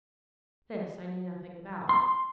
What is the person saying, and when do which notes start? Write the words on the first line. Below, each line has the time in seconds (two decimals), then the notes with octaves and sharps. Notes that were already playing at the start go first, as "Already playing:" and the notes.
This I knew nothing about.
1.89 C6